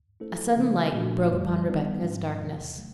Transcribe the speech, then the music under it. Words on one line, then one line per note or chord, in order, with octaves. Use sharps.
A sudden light broke upon Rebecca's darkness.
A3 C#4 E4 A4 C5
C#3 F3 A3 D4
A#2 F3 A3 D4 F#4
F#2 D3 G3
D#3 G3 B3 D#4
G#2 F3 G#3 C#4
E2 C3 E3
D#3 F#3 A3